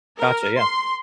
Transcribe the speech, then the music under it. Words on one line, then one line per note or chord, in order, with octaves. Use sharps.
Gotcha, yeah.
A#4
C6